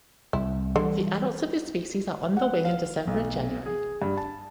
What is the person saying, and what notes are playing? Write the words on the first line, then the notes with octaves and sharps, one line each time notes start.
The adults of this species are on the wing in December and January.
C2 E4
D3 E3 G3
F#5
F5
B1
G#4
G2
A5